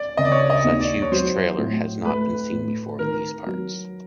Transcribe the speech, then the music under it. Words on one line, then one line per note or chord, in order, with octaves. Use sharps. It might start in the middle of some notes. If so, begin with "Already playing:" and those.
Such huge trailer has not been seen before in these parts.
Already playing: D5
C#3 D#5
D5
C#5
D5
D#5
D#2
D5
C#5
F#3 C5
A2
A3 B4
A2
D#3 A#4
F#3